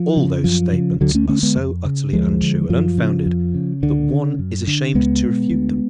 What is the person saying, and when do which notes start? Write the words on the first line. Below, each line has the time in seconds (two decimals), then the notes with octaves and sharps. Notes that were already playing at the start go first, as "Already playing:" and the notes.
All those statements are so utterly untrue and unfounded that one is ashamed to refute them.
Already playing: F3
0.17 C#3
0.44 F#2 F3
0.73 C#3
1.01 D2 D3 F#3
1.15 A3 C#4
1.28 D3 A3 C#4
1.43 G#3 B3
1.57 F2
1.85 C#3
2.13 D2 F3 G#3
2.41 D3
2.69 F#2 F3
2.98 C#3
3.26 F2
3.54 C#3
3.82 C#2 D3
4.10 C#3
4.39 F#2
4.67 D3
4.95 C#2 G#3 B3
5.23 B2
5.51 D2